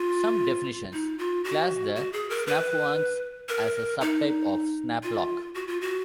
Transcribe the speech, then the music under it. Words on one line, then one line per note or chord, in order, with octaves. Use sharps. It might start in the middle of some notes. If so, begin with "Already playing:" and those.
Some definitions class the snaphaunce as a sub-type of snaplock.
Already playing: F4
D#4
F4
F#4
F#4
G#4
A#4
B4
A#4
D#4
F4
F#4
F4
F#4